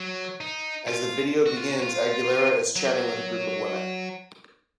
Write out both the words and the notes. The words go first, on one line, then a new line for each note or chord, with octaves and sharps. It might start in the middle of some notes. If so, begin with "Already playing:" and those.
As the video begins, Aguilera is chatting with a group of women.
Already playing: F#3
D#4
F4
F#4
F4
F#4
F4
F#3